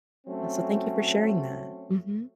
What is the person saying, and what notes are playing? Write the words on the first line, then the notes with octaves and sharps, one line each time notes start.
Uh, so thank you for sharing that, mhm.
F#3 A3 C4 C#4